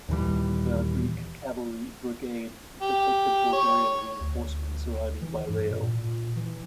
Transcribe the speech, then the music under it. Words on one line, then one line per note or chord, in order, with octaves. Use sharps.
The Greek Cavalry brigade detected Bulgarian reinforcements arriving by rail.
D#2 A#2 E3 G3
G4
C#5
D2
E3
G2
A#2
A#2
E3